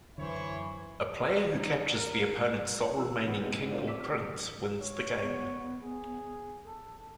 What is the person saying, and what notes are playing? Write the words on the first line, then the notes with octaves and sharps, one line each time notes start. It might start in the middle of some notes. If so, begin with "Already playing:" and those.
A player who captures the opponent's sole remaining king or prince wins the game.
F#2 D3 E3 E4 C5 C#5
D#4
A#4
E3 E6
C#3 E3 B3
G#2 C3 G#3 B3
C4 D4 F4 A#4 C5
D6 E6 B6 E7
F6
C#5
B3
G#4
A4